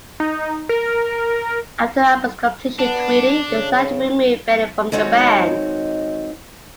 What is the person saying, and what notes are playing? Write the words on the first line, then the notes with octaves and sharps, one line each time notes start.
After the album's completion, Tweedy decided to remove Bennett from the band.
D#4
A#4
B3 D4
C#3
D#3 G#3 C4 D#4 F#4 C#5